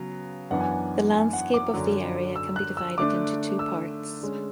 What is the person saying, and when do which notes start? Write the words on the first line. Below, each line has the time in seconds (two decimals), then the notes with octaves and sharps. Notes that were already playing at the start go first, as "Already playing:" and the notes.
The landscape of the area can be divided into two parts.
Already playing: C#3 F#3 B3
0.51 F#2 E3 B3 D4 F#5
0.61 G#5
0.71 F#5
1.12 G#5
1.33 F#5
1.54 D6
1.74 F#2 D3 F#3
2.36 E6
2.56 F#6
2.77 E6
2.98 D3 A3 D4 D6
3.59 E6
4.21 D3 G#3 C#4